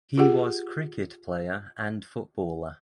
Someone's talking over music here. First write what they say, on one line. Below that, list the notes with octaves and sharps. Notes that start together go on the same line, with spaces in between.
He was cricket player and footballer.
F4 G4 G#4 F#5